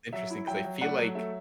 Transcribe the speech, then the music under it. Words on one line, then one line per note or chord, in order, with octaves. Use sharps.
interesting 'cause I feel like
F#3 E5
E4
F#3 E5 G5
F#3
A3 D5 F#5
F#3
A3 E5